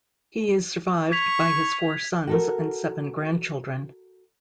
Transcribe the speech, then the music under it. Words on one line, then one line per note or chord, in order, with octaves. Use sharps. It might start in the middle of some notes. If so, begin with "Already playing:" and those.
He is survived by his four sons and seven grandchildren.
C#6 G#6 B6 F7
F#4 A4 A#4